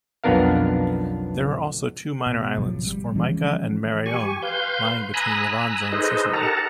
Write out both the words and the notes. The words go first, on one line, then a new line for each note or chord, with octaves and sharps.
There are also two minor islands, Formica and Maraone, lying between Levanzo and Sicily.
B1 F2 B3 D4 A#4 F5
B2
G#1 C3 F3 F#3
G3
E3 F3 G#3 C#4
G4 G#5 C#6
B4 F5 C6 G6
G#5 A#5 B5 D#6 E6 F#6
D#4 G#4 A4 B4 C5 D#5
G4 A4 A#4 F#5 A5 A#5